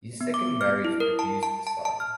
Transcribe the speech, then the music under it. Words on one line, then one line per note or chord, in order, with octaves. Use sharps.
His second marriage produced a son.
B3
D6
F6
E4
A#4
A5
A5
A5
A5
F6